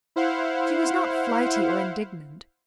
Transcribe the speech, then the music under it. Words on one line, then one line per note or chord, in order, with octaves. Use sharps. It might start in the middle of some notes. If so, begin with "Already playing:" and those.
She was not flighty or indignant.
E4 C5 F5 F#5